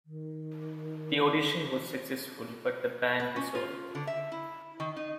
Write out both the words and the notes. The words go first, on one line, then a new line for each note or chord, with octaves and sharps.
The audition was successful, but the band dissolved.
D#3
B4
C#4
F4
D3
E5
E4
D#3
D#4